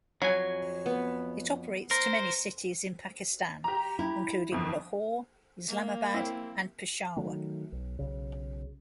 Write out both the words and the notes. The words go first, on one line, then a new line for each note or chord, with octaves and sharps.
It operates to many cities in Pakistan including Lahore, Islamabad and Peshawar.
F2 F#3 G#5
B3
A#4 C5
G4 A#5
E4
G1 F2
A#3
C4 E4
D#3 F#3 A3
B1
B1 C#3